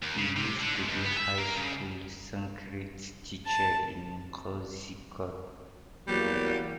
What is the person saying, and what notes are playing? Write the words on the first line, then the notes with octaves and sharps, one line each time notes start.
He used to be high school Sanskrit teacher in Kozhikode.
D#2
C#3
C3
D3
G#2
C#2
B3
E5
A#3
C#3
A5
E2 F#3 G3 A#3